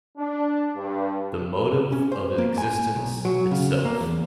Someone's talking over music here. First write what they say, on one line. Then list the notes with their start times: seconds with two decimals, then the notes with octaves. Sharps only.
The motive of existence itself.
0.17 D4
0.76 G2
1.92 C#4
2.12 C5
2.38 A#3
2.58 G#5
2.96 B1
3.25 F#3
3.51 C#3
3.85 A#3
4.01 E2